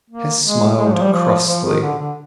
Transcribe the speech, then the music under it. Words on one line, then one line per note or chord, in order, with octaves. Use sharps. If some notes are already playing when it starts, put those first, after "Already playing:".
Tess smiled crossly.
A#3
G#3
G#3
G3
F3
G3
F3
F3
D#3
D3
D3